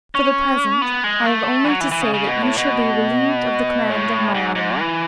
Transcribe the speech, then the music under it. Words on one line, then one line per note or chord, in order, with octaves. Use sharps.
For the present I have only to say that you shall be relieved of the command of my army.
C#4
B3
G#3
A3
E3
F#3
E3
E3
C#3
C#3
B2
A2
B2
A2
G#2
G#2
E3